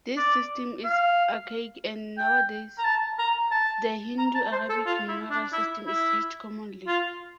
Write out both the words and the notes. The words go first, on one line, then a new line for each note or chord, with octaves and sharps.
This system is archaic and nowadays the Hindu–Arabic numeral system is used commonly.
D5
F5
G5
A#5
A5
A#5
A5
A#5
A5
C5
A4
F4
E4
D4
E4
E4
F4